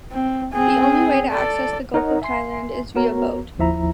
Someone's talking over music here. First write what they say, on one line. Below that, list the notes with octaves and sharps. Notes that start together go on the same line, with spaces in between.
The only way to access the Gulf of Thailand is via boat.
C4
C4 G#4
A4 D5
D#4 A#4 C#5 D#5 F#5 A#5
E5 G#5 C6 C7
B3 F#4 A#4 C#5 A#5
G1 D#2 F3 E4 E5 A#5